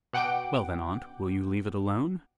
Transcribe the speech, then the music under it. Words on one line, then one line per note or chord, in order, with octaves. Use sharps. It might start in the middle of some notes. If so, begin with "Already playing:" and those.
"Well then, aunt, will you leave it alone?"
B2 F#5 G5 D6 D7